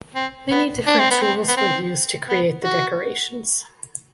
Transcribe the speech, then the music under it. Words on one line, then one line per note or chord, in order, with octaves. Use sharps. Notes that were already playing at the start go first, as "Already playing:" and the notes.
Many different tools were used to create the decorations.
C4
B3
D4
C4
B3
C4
B3
C4
B3
F#4